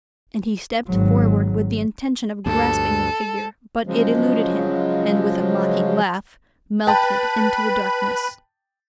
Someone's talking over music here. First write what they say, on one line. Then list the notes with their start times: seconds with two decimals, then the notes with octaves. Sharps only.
And he stepped forward with the intention of grasping the figure, but it eluded him, and, with a mocking laugh, melted into the darkness.
0.88 G#1 F#3
2.46 D2 G2 A4
3.86 C#3 F3 F#3 G#3
6.87 B4 G5 A5 B5